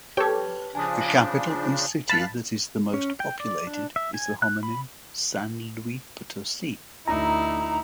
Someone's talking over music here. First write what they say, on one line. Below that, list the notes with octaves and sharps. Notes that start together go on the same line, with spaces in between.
The capital and city that is the most populated is the homonym San Luis Potosí.
G4 A4 B4 C#5 G5 A5
C#3 F3 D4 G#5 A5 D#6
F#2 F5 A5 B5 F#6
C#4
G5
D5
D4
E5
G#5
F#6
B5
D2 D#4 E4 A#5